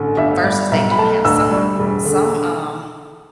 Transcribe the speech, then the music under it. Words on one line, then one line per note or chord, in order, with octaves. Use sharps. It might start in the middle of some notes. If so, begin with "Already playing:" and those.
versus they do have some some, um,
Already playing: A1 D3
G1 E5
G3 D5
B1 E5
B5
A3 A5
D2 E6
G3
E1
D3